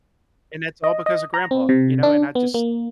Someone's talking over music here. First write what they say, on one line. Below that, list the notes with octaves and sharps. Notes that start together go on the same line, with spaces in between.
And that's all because of grandpa, you know, and I just
D#5
D#5
A#5
C4
C3
D4
B3
A#3